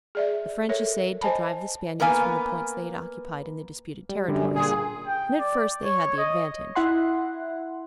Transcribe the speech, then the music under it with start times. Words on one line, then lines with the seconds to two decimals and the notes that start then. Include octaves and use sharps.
The French essayed to drive the Spaniards from the points they had occupied in the disputed territories; and at first they had the advantage.
0.15 G#4 D5 E5
0.69 A4 A#4 C#5 E5
1.21 C5 D#5 G#5 A5 B5
2.00 A#3 B3 B4 F5 G#5
4.09 G3
4.28 F#2 D3 G3
4.55 A#2 G#4
5.07 G5
5.40 D5
5.84 C#5
6.18 D#5
6.75 E4 F#5 C6